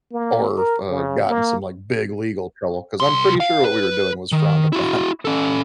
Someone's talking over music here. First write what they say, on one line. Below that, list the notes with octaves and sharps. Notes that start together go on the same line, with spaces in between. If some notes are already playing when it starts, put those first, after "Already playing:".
or, uh, got in some, like, big legal trouble 'cause I'm pretty sure what we were doing was frowned upon.
A#3
A#4
C#3
A#3
C2 C6
F5
B4
D#3
E4 F#4
C#4 A4